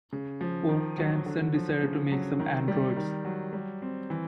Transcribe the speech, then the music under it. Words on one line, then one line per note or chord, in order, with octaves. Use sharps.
Vaucanson decided to make some androids.
C#3
F3
D#3
F#3
D3
F3
C#3
F#3
D#3
G3
D#3
F#3
G3
C4
E3